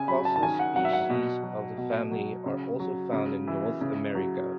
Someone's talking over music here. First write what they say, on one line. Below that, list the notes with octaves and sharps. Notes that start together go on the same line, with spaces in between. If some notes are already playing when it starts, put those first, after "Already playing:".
Fossil species of the family are also found in North America.
Already playing: C#3 G#5
F#3 B5
A5
A5
D#3 G#5
F#5
F#3 F#5
E5
F#5
B2
F#3
B2
F#3
C#3
F#3
C#3
E3
C#3
F#3